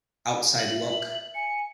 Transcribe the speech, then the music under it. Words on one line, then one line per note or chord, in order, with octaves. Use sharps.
outside look,
E5 F#7
G#5 C#7